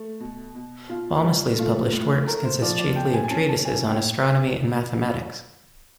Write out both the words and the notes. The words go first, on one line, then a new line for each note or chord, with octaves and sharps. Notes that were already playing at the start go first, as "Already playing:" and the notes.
Walmesley's published works consist chiefly of treatises on astronomy and mathematics.
Already playing: A3
B2
B2
B2 F4
G3
A3 F4
A2
A3 A#4
C5
F3 D5
D5
B2 G5
G#5
G#5
C#4 A5
A5
A#3 G#5
G5